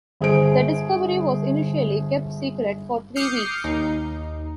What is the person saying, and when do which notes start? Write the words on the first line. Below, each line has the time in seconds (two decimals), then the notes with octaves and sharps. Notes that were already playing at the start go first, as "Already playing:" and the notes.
The discovery was initially kept secret for three weeks.
0.21 G1 G#4 C5 D7
3.16 D6 D#6 F6 G6 C7 C#7
3.64 D#2 D#4